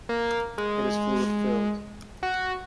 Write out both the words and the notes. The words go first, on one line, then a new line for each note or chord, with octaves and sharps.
It is fluid filled.
A#3
G#3
F#4